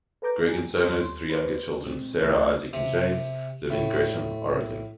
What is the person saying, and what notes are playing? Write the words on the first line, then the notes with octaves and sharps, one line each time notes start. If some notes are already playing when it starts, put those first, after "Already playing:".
Gregg and Sono's three younger children Sarah, Isaac, and James live in Gresham, Oregon.
A4 B4 A#5 D6 G6
G#3 G4 G#4
D#2 G3 A4 C#5 C6
B4 C5 D5
A#2 G#3 C4
C#2 A3 E4 F#6
C3
A2